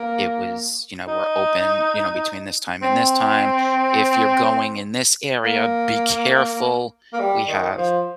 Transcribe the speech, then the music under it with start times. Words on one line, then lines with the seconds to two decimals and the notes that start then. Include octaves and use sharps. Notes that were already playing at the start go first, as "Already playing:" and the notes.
it was, you know, "We're open, you know, between this time and this time, if you're going in this area, be careful, we have
Already playing: A#3
1.07 D#4
2.82 C4
5.44 A#3
7.13 A#3
7.19 G3
7.48 D#3
7.78 F3